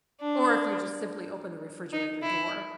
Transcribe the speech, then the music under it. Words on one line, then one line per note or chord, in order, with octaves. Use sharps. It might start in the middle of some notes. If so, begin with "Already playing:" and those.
Or, if you just simply open the refrigerator door.
D4
D#4
E4